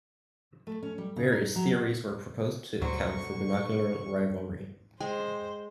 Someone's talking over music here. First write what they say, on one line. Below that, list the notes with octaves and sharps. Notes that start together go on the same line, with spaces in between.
Various theories were proposed to account for binocular rivalry.
A3
C#4
G3
C#3
D#4
F#3
B2
D2 B2 D3 F#3 C5 C#6
G#3 C5 G5